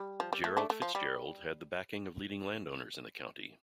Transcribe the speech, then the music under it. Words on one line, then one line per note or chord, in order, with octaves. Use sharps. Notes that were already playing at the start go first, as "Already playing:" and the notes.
Gerald Fitzgerald had the backing of leading landowners in the county.
Already playing: G3
F3
G3
A3
A3 D4
A3
F3
G3